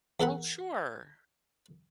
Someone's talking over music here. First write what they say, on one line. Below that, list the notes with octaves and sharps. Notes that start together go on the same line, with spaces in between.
Oh, sure.
E2 A4 A#4 F#5 B5